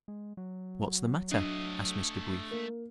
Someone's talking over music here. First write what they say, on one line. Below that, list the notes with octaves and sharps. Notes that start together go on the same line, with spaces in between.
"What's the matter?" asked Mr. Brief.
G#3
F#3
A3 D4 D#5
A#3